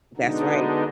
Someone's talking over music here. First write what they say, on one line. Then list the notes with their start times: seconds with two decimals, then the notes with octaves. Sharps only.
That's right.
0.17 B2 D3 G#3 B3 D4 D#4